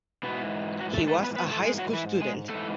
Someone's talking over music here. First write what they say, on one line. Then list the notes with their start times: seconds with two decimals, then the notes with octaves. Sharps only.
He was a high school student.
0.23 G#2 B2 E3 B3
0.80 F#3 F#4
0.94 A3 A4
1.08 A3 A4
1.23 B3 B4
1.36 B3 B4
1.51 A3 A4
1.65 G#3 G#4
1.79 F#3 F#4
1.93 E3 E4
2.22 G#3 G#4
2.49 G#2 E3 A3 A4